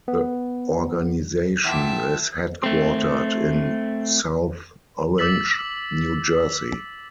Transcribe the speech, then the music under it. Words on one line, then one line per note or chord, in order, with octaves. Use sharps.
The organization is headquartered in South Orange, New Jersey.
B3
E2 A#2 E5 G5 A5
A3 C4
D6 E6 A6 B6 F#7